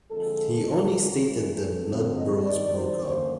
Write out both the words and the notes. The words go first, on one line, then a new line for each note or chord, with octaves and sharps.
He only stated the blood bros broke up.
F2 D3 F3 G#3 A4
D#2 C#3 F#3
G2 E3 A3 C#4
A4
F#2 D3 F3 G#3 C4
D#5
G2 D#3 G3 D5
C5
D3 F#3 A#3 C#4 C5